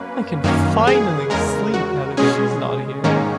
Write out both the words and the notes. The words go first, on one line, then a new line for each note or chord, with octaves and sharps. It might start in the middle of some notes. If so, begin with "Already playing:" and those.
I can finally sleep now that she's not here.
Already playing: F#2 A#3 C#4 B4
F#2 D#3 A#3 C#4
G#4
E2 C#3 G#3 A#4
F#4
B2 G#3 C#4 G#4
G#2 D#3 A#3 C#4